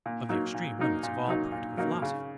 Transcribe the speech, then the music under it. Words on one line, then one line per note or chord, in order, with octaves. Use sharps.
Of the Extreme Limits of all Practical Philosophy.
A#2
F#3 A#3 D#4
A#2
F#3 A#3 D#4
A#2
F#3 A#3 D#4
A#2
F#3 A#3 D#4
C#3